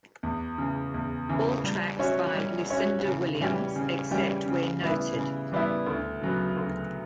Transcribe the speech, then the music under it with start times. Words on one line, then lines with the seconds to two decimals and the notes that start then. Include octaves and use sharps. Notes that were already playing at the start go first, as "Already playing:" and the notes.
All tracks by Lucinda Williams except where noted.
0.23 E2
0.58 C#3 E3
0.94 E2
1.29 C#3 E3
1.64 G3
1.99 C#4 F#4 C#5 E5
2.35 G3
2.70 C#4 F#4 C#5 E5
3.05 C#3
3.40 E3 G3 C#4 G4
3.76 C#3
4.11 E3 G3 C#4 G4
4.46 C#3
4.81 E3 G3 B3 E4
5.16 C#3
5.52 E3 G3 B3 E4
5.87 D2
6.22 C#3 F#3 B3
6.57 D2